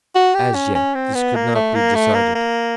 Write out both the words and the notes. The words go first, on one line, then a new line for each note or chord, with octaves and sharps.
As yet, this could not be decided.
F#4
G4
C#4
C#4
C4
B3
A#3
A3
A#3
A3
A#3
A#3